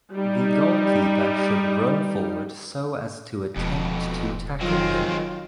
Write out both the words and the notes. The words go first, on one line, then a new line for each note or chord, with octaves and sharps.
The goalkeeper should run forward so as to attempt to tackle him.
G3 D#4
E1 F2 B2
D#3 F#3 G#3 C4 F4